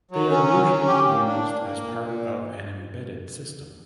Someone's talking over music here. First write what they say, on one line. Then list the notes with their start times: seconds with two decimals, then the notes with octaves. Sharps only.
They are usually used as part of an embedded system.
0.11 F#3
0.29 C#4
0.49 F#3
0.68 C#4
0.87 G4
1.07 A#3
1.26 D4
1.45 A#3
1.63 A#3
1.83 A#2
2.01 A#2